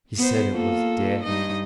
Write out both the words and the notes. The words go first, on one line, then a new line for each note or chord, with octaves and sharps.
He said it was death.
B3 C5
A#3 F4 A4
G2 D#4 D#5